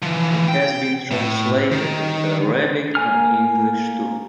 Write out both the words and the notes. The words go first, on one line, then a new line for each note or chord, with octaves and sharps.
It has been translated into Arabic and English too.
E3 F3
G5
A2
D#3
A#3 G#5 F6